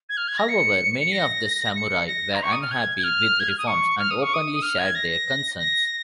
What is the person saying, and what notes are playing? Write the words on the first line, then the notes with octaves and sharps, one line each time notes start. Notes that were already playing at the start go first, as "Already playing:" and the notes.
However, many of the samurai were unhappy with reforms and openly shared their concerns.
G#6
F6
G#6
A#6
C#7
C#7
A#6
C#7
C#7
A#6
A#5
C#6
D#6
F6
G#6
G#6
F6
G#6
F6
D#6
C#6
F6
D#6
C#6
D#6
D#6
F6
G#6
A#6
A#6